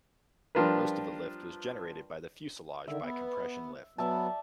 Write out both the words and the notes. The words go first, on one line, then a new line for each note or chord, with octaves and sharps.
Most of the lift was generated by the fuselage by compression lift.
F3 G3 D4 F4 A#4 B4
D3 D#3 E5
B3
F#3 B3 D5 E5 A5